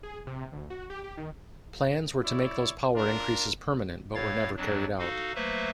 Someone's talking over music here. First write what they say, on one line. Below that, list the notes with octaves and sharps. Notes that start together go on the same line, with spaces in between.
Plans were to make those power increases permanent, but were never carried out.
G#4
C3
D2
F#4
G4
G4
D#3
E4 C#5 D5
D4 F4 A#4
A2 C#5 F5 A6
F2 F#3 D4
D#4 F#4 A4 F5
F#3 A3 A#3 B4 C5 E5